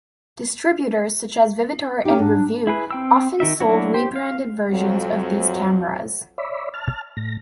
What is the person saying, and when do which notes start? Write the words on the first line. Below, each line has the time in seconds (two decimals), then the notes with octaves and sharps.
Distributors such as Vivitar and Revue often sold rebranded versions of these cameras.
2.05 C#4 D#4 G4
2.19 G#2 D4
2.67 E4 G#4 B4
2.91 C4 G5 E6
3.40 D#3 D#4 E5
3.60 F#3 A#3 D4 E4 F#4
3.94 G4 C5
4.16 F5
4.70 F2 F#3
6.38 C#5 D5 E5 B5
6.74 A5 F6
7.17 A2 A#6